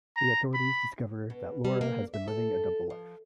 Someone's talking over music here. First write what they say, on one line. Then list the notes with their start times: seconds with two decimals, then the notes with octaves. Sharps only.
The authorities discover that Laura has been living a double life.
0.17 A#5
0.54 B5
1.30 B2
1.65 G3
1.81 A#3
2.14 E5
2.28 A4
2.90 F3